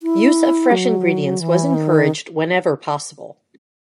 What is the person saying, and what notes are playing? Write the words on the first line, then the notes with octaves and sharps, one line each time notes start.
Use of fresh ingredients was encouraged whenever possible.
E4
F#3
E3
D#3